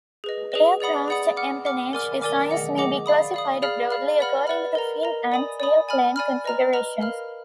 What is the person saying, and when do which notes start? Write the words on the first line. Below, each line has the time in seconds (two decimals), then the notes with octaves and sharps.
Aircraft empennage designs may be classified broadly according to the fin and tailplane configurations.
0.24 G#4 B4 D#5
0.52 G#4 B4 D#5
0.80 G#4 D5 F#5 B5 D#6
1.08 G#4 D5 F#5 B5 D#6
1.37 F#5 D6 F6
1.65 F#5 D6 F6
1.93 A#4 D5 G#5 D6 F6
2.21 A#4 D5 G#5 D6 F6
2.50 G#4 D#5 F#5 D6
2.78 G#4 D#5 F#5 D6
3.06 D5 F5 B5 D#6
3.34 D5 F5 B5 D#6
3.62 G#4 D5 F5 B5 F6
3.90 G#4 D5 F5 B5 F6
4.18 B4 D5 F#5 B5 F6
4.47 B4 D5 F#5 B5 F6
4.75 A#4 D#5 A#5
5.03 A#4 D#5 A#5
5.32 D5 G#5 B5 D#6
5.60 D5 G#5 B5 D#6
5.88 D5 G#5 B5 F6
6.16 D5 G#5 B5 F6
6.44 B4 D#5 A#5 F6
6.73 B4 D#5 A#5 F6
7.01 A#4 F5 B5 F6